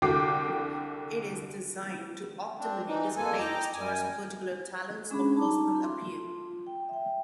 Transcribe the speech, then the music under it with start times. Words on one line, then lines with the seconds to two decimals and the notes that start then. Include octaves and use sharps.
It is designed to optimally display that star's particular talents or personal appeal.
0.02 C2 D3 F#4 G5 D6 C7
2.58 C4 D4
2.87 E3 D#4
3.16 F2 G#3 A#3 A4 G#5
3.39 D#5 G5 A#5 D6
3.73 F#2 G#5
5.10 G#3 C#4 D4 G#4 B5
5.36 D#4 A5 A#5 D6
5.80 F4 C6
6.67 G5
6.89 E5 G5